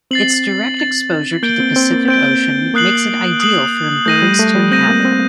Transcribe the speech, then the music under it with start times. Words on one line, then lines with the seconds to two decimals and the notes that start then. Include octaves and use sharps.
Its direct exposure to the Pacific Ocean makes it ideal for birds to inhabit.
0.11 C4 A6 C7 F#7
0.77 A6 C7 F#7
1.43 A#3 G6 D7 G7
1.60 C4
1.76 C4
1.92 A#3
2.08 C4 G6 D7 G7
2.74 A#3 D#6 F#6 C7 F#7
3.40 D#6 F#6 C7 F#7
4.05 A3 G6 A#6 D#7
4.22 G3
4.39 A3
4.55 G3
4.71 C4 G6 A#6 D#7
4.88 A#3
5.05 C4